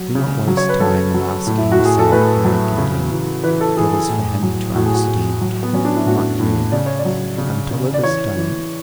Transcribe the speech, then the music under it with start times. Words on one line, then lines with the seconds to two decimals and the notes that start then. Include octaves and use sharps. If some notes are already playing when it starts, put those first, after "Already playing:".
Do not waste time in asking yourself how he can do it: that is for him to understand, not you--until it is done.
Already playing: F#3
0.15 C#3
0.47 F#3
0.57 C#5
0.69 B4
0.80 F#3 A4
1.14 F#3
1.46 A2
1.58 E4
1.72 F#4
1.79 A2
1.85 G#4
1.99 A4
2.12 A2 B4
2.45 F#3
2.78 C#3
3.11 E3
3.44 E3 B4
3.61 A4
3.77 E3 G#4
3.93 G#4
4.09 A2
4.42 F#3
4.76 A2 F#4
4.86 G#4
4.95 F#4
5.08 A2
5.41 F#3
5.63 B3
5.73 F#3 C#4
5.85 D4
5.96 E4
6.06 A2 F#4
6.40 A2
6.72 C#3 D5
6.86 C#5
6.99 D5
7.05 F#3
7.38 C#3
7.71 C#3
7.94 D5
8.03 E3 C#5
8.37 E3